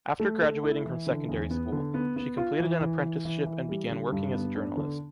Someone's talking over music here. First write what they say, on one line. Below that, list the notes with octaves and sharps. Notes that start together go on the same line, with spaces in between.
After graduating from secondary school, she completed an apprenticeship and began working as a journalist.
A3
A3
E4
E3
D3
E2
B3
D3
B3
B3
F4
E3
E3
E3
E3
E3
G3
D3
G2
B3
D4
D3